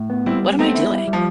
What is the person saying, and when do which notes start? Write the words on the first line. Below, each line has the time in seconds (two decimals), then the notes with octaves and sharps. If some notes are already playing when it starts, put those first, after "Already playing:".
what am I doing?
Already playing: A2
0.10 B3
0.26 G3 C4 E4
0.43 B3
0.59 A3 B3 C4
0.75 E4
0.91 G3
1.08 G3
1.13 F3